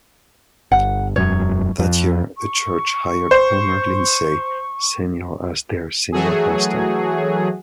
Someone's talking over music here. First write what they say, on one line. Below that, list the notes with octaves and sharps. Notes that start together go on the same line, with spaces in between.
That year, the church hired Homer Lindsay, Senior as their senior pastor.
G1 F#5
E1 F#2 C#5
F2
C#6
C5
E3 F#3 A3 F#4 G#4